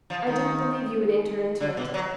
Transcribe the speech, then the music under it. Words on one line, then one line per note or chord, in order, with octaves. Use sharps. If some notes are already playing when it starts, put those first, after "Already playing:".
I didn't believe you would enter into it.
F3
D#3
D3
B2
F#3